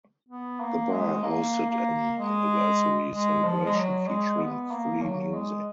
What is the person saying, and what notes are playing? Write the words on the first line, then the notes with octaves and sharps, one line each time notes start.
The bar hosted an anniversary celebration featuring free music.
B3
A#3
G#3
A#3
A#3
G#3
G#3
F3
G#3
F#3
G#3
B3
A#3
F#3
G#3